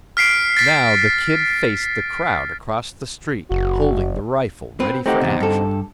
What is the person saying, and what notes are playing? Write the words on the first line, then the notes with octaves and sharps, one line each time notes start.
Now the "Kid" faced the crowd across the street, holding the rifle ready for action.
F6 B6 C7 D7
A6 B6
F#1 F#4
C4 B4
A3 C4 D#4 G4 F#5
E2 C3
G2 A4